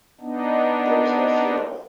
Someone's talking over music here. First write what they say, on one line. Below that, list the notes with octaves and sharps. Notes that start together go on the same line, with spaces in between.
There was no funeral.
B3 D4 D#4